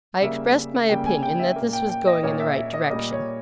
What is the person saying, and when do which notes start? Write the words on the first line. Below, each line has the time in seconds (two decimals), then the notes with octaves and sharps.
I expressed my opinion that this was going in the right direction.
0.21 C#3 G3 A#3 E5
0.89 C#3 G3 A#3 G5
1.06 G#5
1.23 G5
1.39 E5
1.56 A#3
1.61 A#2
1.73 G5
1.89 G5
2.07 D#5
2.23 A#2 A#3 C#5
2.40 E5
2.56 E5
2.74 D#5
2.90 A#2 G3 A#3 D#5
3.12 C#5